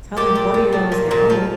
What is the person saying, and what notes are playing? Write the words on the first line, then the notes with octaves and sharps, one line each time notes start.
telling forty-year-olds they're old.
A#2 G4
A#2
A#2
F3
A#2
A#2
F3